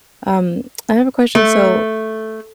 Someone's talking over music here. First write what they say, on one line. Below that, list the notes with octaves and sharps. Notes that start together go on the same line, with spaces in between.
Um, I have a question. So,
A3